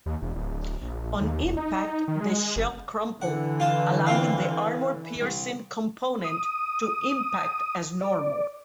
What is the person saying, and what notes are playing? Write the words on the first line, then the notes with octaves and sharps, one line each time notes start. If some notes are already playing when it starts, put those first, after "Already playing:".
On impact the shell crumpled, allowing the armour-piercing component to impact as normal.
D#2
E1
D1
A#1
D#2
E1
D#4
D#3
G#3
F#1
D3 E3 F#5
F4 A5
C4 F4 F5
C2
D#6
D5